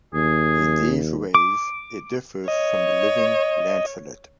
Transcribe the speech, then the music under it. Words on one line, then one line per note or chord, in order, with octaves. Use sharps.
In these ways, it differs from the living lancelet.
D#2 G#4
D6
C#5 D#5